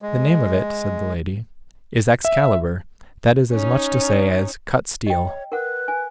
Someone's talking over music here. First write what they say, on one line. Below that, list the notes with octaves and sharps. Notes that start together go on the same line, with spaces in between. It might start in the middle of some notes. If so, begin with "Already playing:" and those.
The name of it, said the lady, is Excalibur, that is as much to say as Cut-steel.
G#3
E5
C#4 D#4
D#5 G5
C#5
A#4 B4 F#5
G#5